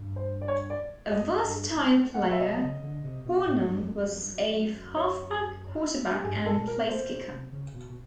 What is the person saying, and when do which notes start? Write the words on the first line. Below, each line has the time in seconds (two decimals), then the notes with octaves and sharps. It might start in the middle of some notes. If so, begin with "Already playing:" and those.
A versatile player, Hornung was a halfback, quarterback, and placekicker.
Already playing: G2
0.16 C5
0.41 D5
0.48 C#5
0.70 D5
1.12 F#2 D#5
1.44 G2
1.76 G#2
1.93 A2
2.09 A2
2.14 F#5
2.24 A#2 F5
2.32 E5
2.40 B2 D#5
2.62 C#3
2.83 D3
3.04 C3
3.26 B2
3.47 A2
3.68 G2
3.79 F2
3.90 F#2
4.10 F2
4.22 G2
4.33 F#2
4.97 C#5
6.13 G4
6.24 G2 G#4
6.32 G#2
6.40 G2
6.46 A4
6.56 A#2
6.68 A#4
6.83 A#2
6.88 B2 C5
7.00 A#2
7.09 B2
7.30 C3
7.53 C#3
7.74 B2
7.90 B2